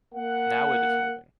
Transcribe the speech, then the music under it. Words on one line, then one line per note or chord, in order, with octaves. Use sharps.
Now it is moving.
A#3 F#5